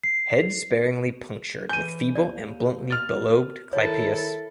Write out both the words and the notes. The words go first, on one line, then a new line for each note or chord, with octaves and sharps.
Head sparingly punctured with feeble and bluntly bilobed clypeus.
C7
E3 G#5 G6 D#7
D#2 D5
F6 A6
D#3 E4 A4 C#5